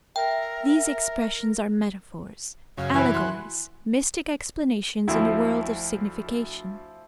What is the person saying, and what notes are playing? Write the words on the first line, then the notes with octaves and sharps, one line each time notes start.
These expressions are metaphors, allegories, mystic explanations in the world of signification.
A#4 E5 G5
F#2 C#3 F5
E3 E4 B4 G#5
F#4 C6
D2 F3 E4